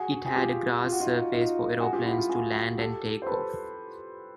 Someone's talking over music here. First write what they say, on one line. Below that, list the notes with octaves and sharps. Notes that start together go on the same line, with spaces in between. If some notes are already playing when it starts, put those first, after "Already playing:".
It had a grass surface for aeroplanes to land and take off.
Already playing: F#4 G#4
G#4
F4 G4
F4
F#4
D#4 F4
D#4 F4
F#4 G#4
F4 G4
E4 F#4
F4 G4
F#4 G#4
G4 A4
C5
A4 B4